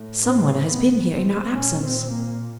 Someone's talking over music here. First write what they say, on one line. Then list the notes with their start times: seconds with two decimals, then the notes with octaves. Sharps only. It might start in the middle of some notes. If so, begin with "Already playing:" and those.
"Some one has been here in our absence."
Already playing: A2
0.24 C4
0.68 B3
1.11 C4
1.54 A#2 C#4
1.82 C4
2.11 A#3